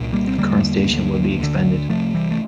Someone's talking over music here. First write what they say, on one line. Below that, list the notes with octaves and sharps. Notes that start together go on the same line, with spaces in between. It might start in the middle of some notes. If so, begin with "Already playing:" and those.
The current station will be expanded.
Already playing: C2 A#2
G3 A#3
C4
E2 D3 G3 A#3
D2 D3
D2 D3
C2 C3 F3 A3
E3 G3
A3